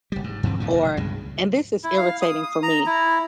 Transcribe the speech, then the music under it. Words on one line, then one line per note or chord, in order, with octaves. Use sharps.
or and this is irritating for me,
F#1 G3
G#2
G2 D3 E3 C4
F#2 A#2 D3 F3
F1 E2 G2
C#2 G2 B2 G#3
E4
F5
D#6
D#6
A#5
E4